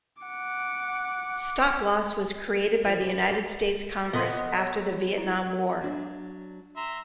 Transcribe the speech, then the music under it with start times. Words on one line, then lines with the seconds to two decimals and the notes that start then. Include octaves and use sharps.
Stop-loss was created by the United States Congress after the Vietnam War.
0.22 F#5 D6
2.84 F3
3.00 C3
3.16 G2
3.28 G4
4.13 A#1 B3 A4 D#5 C6
4.58 C#5 D#5 E6
5.17 E4
5.81 F#3 D4
6.77 E5 A#5 C6